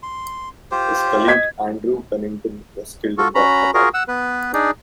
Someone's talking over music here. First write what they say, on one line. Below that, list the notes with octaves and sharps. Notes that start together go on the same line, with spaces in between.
His colleague, Andrew Pennington, was killed in the attack.
C6
F4 G4 C5
D#5 G#6 B6
F4 F#4 A4
C#4 F#4 A#5 B5
F4 F#4 G#4 A#4
F#5 E6
B3 B4
D4 D#4 G#4 D5